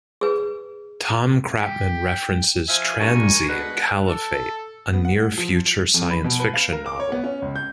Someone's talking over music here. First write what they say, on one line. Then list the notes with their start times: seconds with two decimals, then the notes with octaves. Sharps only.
Tom Kratman references tranzi in "Caliphate", a near future science fiction novel.
0.21 G#4 B4
1.60 G4 G5
2.69 F3 E5 F5 G#5
3.00 G2 A#4 C#6
3.49 B2 D3 G#3 B4 F#5
4.08 A4
4.93 B3
5.05 F#5
5.38 F3
5.94 F2
6.11 B5
6.24 B2
6.40 B4
6.54 F5
6.73 A#4
6.86 D6
7.00 C#5
7.12 B3
7.24 C#4
7.42 C#2
7.56 G6